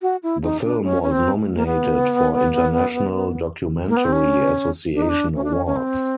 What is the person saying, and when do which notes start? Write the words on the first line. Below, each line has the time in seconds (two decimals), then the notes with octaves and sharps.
The film was nominated for International Documentary Association awards.
0.02 F#4
0.23 E4
0.43 D#4
0.64 D4
0.84 C#4
1.03 C#4
1.11 C4
1.56 A#3
1.66 B3
3.89 A#3
3.97 B3
4.05 C4
4.13 C#4
4.95 D4
5.02 D#4
5.09 D4
5.36 C#4
5.44 D4
5.53 C#4
5.66 C#4
5.76 C4